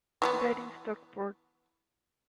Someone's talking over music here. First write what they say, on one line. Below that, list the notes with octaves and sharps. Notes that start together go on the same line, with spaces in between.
He died in Stockport.
E3 F#3 B3